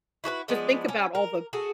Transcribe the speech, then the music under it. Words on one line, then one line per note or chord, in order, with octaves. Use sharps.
to think about all the,
E4 F#4 G#4 B4
F3 G#3 B3 D4
C#4
A#4
F#4 G#4 A4